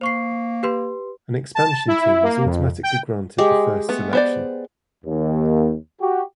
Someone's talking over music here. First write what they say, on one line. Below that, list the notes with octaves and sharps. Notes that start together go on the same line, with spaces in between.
An expansion team is automatically granted the first selection.
A#3 C5 C#6 C7
G4 B4 C6
A5
E4
A#3
F2
G5
G#3 G4
A3 B3
B3 C5 D5
D#2
F#4 G4